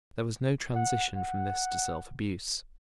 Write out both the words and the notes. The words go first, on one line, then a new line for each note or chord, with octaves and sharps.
There was no transition from this to self-abuse.
F#5
F#5